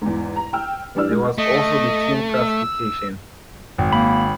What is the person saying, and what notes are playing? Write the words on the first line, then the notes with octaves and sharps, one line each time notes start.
There was also the team classification.
E2 G#2
A#5
G5 E6 F6
E3 G3 D4 D5 E6 F6
G#3
A3 D#5
E6
G#1
A#3 B5